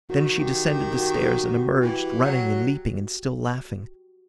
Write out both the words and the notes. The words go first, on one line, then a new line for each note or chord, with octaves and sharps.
Then she descended the stairs and emerged, running and leaping and still laughing.
D#3 F#4
G4
G4
G4
F#4
F#4
F#4
E3 G4
F#3